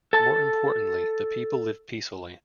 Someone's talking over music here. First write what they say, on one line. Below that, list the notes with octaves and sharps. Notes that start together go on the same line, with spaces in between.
More importantly, the people live peacefully.
A4 A5